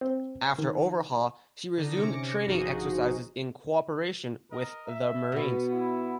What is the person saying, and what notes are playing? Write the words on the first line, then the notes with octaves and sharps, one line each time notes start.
After overhaul, she resumed training exercises in cooperation with the Marines.
C4
D#3
D3 D#4
C3 C#4 D6 A#6 C#7
G1 F3 D#4 F#4 G#4 D#5
A#4 D#5
E5
B2 B3
E4